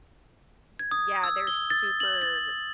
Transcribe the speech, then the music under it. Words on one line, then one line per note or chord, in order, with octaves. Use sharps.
Yeah, they're super
G#6
D#6
E6
G7
A6
F#7
A6